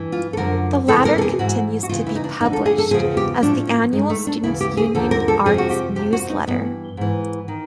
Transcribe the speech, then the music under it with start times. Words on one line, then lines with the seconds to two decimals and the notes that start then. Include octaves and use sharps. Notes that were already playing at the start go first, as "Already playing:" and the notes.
The latter continues to be published as the annual Students' Union arts newsletter.
Already playing: G2 E3
0.12 F4
0.33 A4
0.37 F#2 D3 F3 A#4
0.88 E2 C3 E3 A4
1.05 A#4
1.18 A4
1.21 G#4
1.39 G#2 E3 F#4
1.83 F#4
1.89 D#2 C#3 E3 F4
2.07 E4
2.15 D#4
2.24 D4
2.40 F2 D3 F3 D#4
2.53 A4
2.66 G#4
2.78 A4
2.91 E2 C#3 F3 G#4
3.17 G4
3.42 A2 F3 D4
3.67 C#4
3.93 G2 D#3 G#3
4.10 A3
4.27 D4
4.43 D2 C#3 E3 E4
4.61 G4
4.77 G#4
4.95 D#2 D3 F3 A4
5.11 A#4
5.28 A4
5.45 F2 C3 F3 G#4
5.58 F#4
5.71 G4
5.95 F2 C3 F3 G4
6.13 F#4
6.30 D#4
6.47 G2 E3 B3
6.97 G#2 E3
7.48 D#3